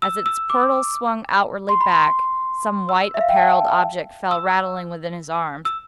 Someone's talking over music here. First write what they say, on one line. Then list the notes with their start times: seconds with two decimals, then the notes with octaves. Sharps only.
As its portals swung outwardly back, some white-apparelled object fell rattling within his arms.
0.02 E6
0.26 E6
0.50 D6
1.69 C6
1.81 B5
1.92 C6
2.89 E6
3.14 E5
3.21 F5
3.29 G5
3.36 A5
4.31 E6
5.65 E6